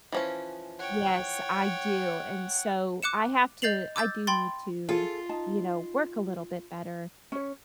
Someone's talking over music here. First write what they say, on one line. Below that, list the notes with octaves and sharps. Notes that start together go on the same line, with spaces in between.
Yes, I do and so, I have to I do need to, you know, work a little bit better
E3 F3 C#4
C#5 F#5 G5
D6 F#6 C#7 E7
D#5 G6 A6 C7 F7 F#7
D6 E6 G6 A6
G5 B5 C6 A6
F4 G#4 A4
D#4 A5
C#4 C#5